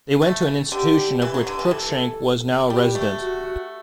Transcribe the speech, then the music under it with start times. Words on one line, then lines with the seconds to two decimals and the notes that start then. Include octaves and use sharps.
They went to an institution of which Crookshank was now a resident.
0.22 A3
0.72 D3 G4
1.22 E3
1.34 F#3
1.47 D3
1.59 E3
1.71 E3 A4
2.70 G3 G4
2.95 A3
3.20 F#4